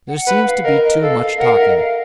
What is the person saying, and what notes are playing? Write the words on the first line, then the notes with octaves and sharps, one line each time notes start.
'There seems to be too much talking.'
F#5
B4
F#5
F5
A#4 D#5
D#5
A4 F5
F5
A#4 F#5
F5
E5
D#5
F5